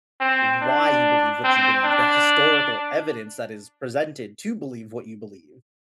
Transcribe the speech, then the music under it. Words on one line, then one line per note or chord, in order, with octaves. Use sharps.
why you believe what you believe, the historical evidence that is presented to believe what you believe.
C4
D4
C4
D4